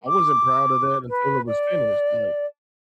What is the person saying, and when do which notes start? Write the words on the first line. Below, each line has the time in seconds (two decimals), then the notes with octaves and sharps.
I wasn't proud of that until it was finished, like
0.07 D6
1.09 B4
1.47 D5